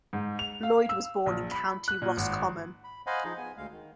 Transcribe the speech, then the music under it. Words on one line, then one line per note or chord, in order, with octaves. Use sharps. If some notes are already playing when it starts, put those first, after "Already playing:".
Lloyd was born in County Roscommon.
G#2
F7
F5
E6
A#1
B5
F#6
A#2
G#1
B5
C5 D#5 F5 F#5 G#5 B5
F3 D#4 G#4
B3 G#5
D2 G#3 F5
D#3